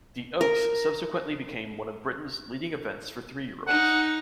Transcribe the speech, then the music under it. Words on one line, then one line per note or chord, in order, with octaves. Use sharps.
The Oaks subsequently became one of Britain's leading events for three-year-olds.
A#4
D#4 F#5